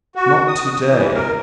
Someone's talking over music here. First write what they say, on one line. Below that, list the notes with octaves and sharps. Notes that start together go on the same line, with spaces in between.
"Not to-day."
F#4
D#6
E3
A#4